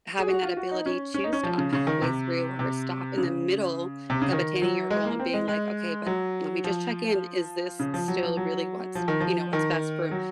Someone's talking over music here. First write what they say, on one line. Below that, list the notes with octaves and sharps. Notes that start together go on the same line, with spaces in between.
having that ability to stop halfway through or stop in the middle of attaining your goal and being like, "Okay, but let me just check in, is this still really what's, you know, what's best for
G#4
F#4
F4
F#4
D#4
C#4
C#4
D#4
C#4
F3
C#3
C#3
D#3
C3
C3
C#3
C3
C#3
D#3
F#3
G#3
A#3
C4
G#3
G#3
F#3
F3
C#3
F3
F#3
F3
F#3
F3
D#3
F3
D#3
F#3